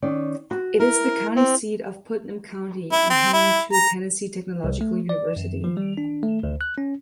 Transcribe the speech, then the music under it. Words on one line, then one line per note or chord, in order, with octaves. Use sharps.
It is the county seat of Putnam County and home to Tennessee Technological University.
D#3 C#4 D5
F#4
E4 A#4
C4
E4
C4
E4
A#5
C2
A3
D5
F#2
F3
G3
D4
A3
D2
F#6
C#4